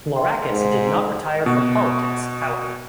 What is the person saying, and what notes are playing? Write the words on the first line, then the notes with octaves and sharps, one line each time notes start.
Florakis did not retire from politics, however.
G5 C6
G#2
B2 F#4